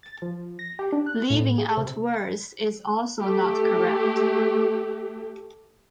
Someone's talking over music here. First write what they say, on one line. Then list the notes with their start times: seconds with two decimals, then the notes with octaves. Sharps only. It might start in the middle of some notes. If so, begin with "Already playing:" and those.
Leaving out words is also not correct.
0.03 A6
0.22 F3
0.59 A#6
0.79 G4
0.93 D4
1.06 F#6
1.30 A2
1.58 G#4
1.77 C3
3.20 A3 G4